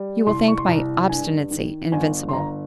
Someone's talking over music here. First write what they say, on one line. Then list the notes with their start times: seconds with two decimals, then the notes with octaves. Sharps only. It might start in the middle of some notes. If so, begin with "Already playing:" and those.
You will think my obstinacy invincible.
Already playing: G3
0.26 C2 C6
0.48 C#6
0.58 C6
0.68 C2 A#5
1.09 G2 G#5
1.51 D#3
1.92 G1 G#5
2.29 C6
2.33 G1 A#5